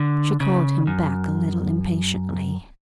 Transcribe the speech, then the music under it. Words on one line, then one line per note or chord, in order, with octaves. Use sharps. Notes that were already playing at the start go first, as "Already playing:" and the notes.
She called him back a little impatiently.
Already playing: D3
C#3
F#2